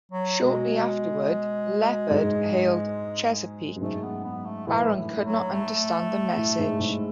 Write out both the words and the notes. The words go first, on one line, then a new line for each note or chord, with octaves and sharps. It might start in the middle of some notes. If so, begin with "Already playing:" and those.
Shortly afterward "Leopard" hailed "Chesapeake"; Barron could not understand the message.
F#3
B2 G#3
G#2
F#2
G#2 A3
B3
B3
A3
A2 E3
F#3
A3
A2
G#2
G#2